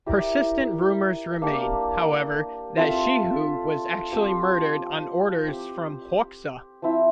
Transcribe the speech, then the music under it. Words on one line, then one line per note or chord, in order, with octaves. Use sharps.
Persistent rumors remain, however, that Shehu was actually murdered on orders from Hoxha.
E4 G4 A#4 D5
A#3 D4 G4
C4 F4 A4 E5
F3 C4 G4
C4 G4 C5
F3 C4 E4